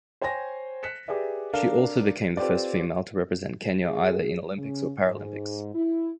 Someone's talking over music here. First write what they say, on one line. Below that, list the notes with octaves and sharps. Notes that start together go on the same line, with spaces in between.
She also became the first female to represent Kenya either in Olympics or Paralympics.
C5 C#5 G5 G#5 C6 A#6
F#6 B6 C#7 E7
G4 G#4 B4 D5 E5
D4 A4 A#4 F5
C4 F4 G4 A4 B4 D5
G#4
C#3
G#2
E4